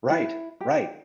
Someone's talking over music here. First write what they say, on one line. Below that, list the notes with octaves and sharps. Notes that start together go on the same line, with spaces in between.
Right, right.
E4
G4